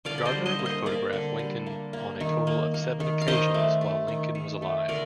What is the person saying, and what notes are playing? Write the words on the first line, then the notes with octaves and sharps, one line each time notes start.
Gardner would photograph Lincoln on a total of seven occasions while Lincoln was alive.
D3 D5 F5
D5
C5 D#5
G3
C5 D#5
A#3
C5 D#5
A#3 A#4 D5
D3
G3
A#3
A#3
D#3
A#3
A#3
D#3
F5
D#3 C5 D#5
A3
A3
D#3
D#3
A3
D3 A#4 D5